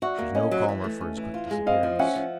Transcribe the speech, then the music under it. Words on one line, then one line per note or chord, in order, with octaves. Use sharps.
She was no calmer for his quick disappearance.
F#4 D5 E5
A#3
C#4 C#5 D#5
F#3
E3
A3
C#4
E3
F4
G#3
C4 D#5 F5
F3
C#4 E5 F#5
F3